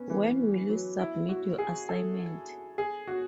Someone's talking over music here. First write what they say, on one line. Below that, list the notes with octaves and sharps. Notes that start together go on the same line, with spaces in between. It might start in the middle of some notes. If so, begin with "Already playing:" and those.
When will you submit your assignment?
Already playing: B3 C#4
E3
F#3
E4
F#4
G#4
A4
G#4
F#4